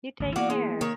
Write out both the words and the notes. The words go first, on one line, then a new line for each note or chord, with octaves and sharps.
You take care.
G#1 D2
E3 A#3 B3 F#4 D5 F5
G#3
D#3 A#3 C#5